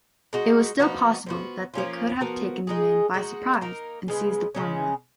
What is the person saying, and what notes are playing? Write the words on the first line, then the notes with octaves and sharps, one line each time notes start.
It was still possible that they could have taken the man by surprise and seized the formulae.
G#3 D#4 F#4
F3 B3 D#4 F#4
F3 B3 F#4
F3 A#3 C#4 F4
F3 B3 F#4 A#4
G#3 D#4 G#4
G#3 D#4 F#4
A#3 D#4 A#4
C#3 G#3 B3
C#3 G#3 C#4